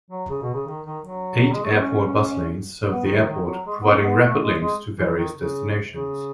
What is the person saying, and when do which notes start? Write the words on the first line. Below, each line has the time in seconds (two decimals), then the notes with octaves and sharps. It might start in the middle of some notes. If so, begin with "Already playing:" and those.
Eight airport bus lines serve the airport, providing rapid links to various destinations.
0.11 F#3
0.29 C#3
0.42 B2
0.54 C#3
0.66 D#3
0.85 D#3
1.03 F#3
1.53 G#3
1.62 A3
1.71 B3
1.79 C#4
2.91 B3
3.04 D#3
3.16 D#3
3.28 D#3
3.47 F#3
3.66 G#3
3.80 B3
3.92 C#4
3.99 A3
4.04 B3
4.22 A3
4.41 G#3
4.61 G#3
4.97 E3
5.16 D#3
5.35 C#3
5.91 C#3